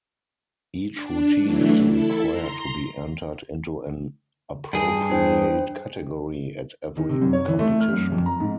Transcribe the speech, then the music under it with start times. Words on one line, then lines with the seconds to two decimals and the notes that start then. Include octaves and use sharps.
Each routine is required to be entered into an appropriate category at every competition.
0.93 D4
1.41 E3 F#3 A3 D4
1.86 E4 A4
2.26 A#5 C6
4.73 G2 G#4
5.10 D4 C5 G5
6.97 D#3
7.09 C3
7.22 F#2
7.33 C#5
7.48 E3
7.59 A3
7.80 F6
7.93 F#2
8.12 F2
8.26 A#5
8.40 G#2